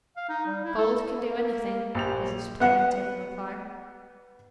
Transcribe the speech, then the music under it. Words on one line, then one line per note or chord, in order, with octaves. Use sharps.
"Gold can do anything," was his plaintive reply.
F5
D#4
G3
E4
A4
A#3
A#1 G4 F7
B3 F#5